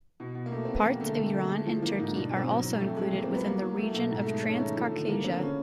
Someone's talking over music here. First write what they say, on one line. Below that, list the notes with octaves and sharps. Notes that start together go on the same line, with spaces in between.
Parts of Iran and Turkey are also included within the region of Transcaucasia.
B2
B2
A#3
B2 A3
B2 C4
B3
F2 A#3
G#3
D3 A3
F2
D3
G#3 A3
F3
F3 A#3
G#2 D#4
B2 D4
B2
C4
F#3
F#3
F2 A3
F2 G#3
F2 A#3
C4
F#3
B3
F#3 A#3
F#3
F#3 A3
B2 A3
G#2
A3
G#3
D#4
G#3 C#4
D#3 A3
F3 A3
D3
F3 A#3
D3 C4
C#3 C#4